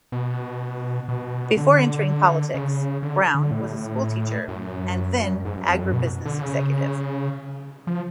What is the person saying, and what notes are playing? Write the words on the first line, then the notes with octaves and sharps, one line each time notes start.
Before entering politics, Brown was a schoolteacher and then agribusiness executive.
B2
B2
D3
C#3
D3
D3
A2
F#2
G#2
F#2
F2
F#2
B2
D3
C#3
F3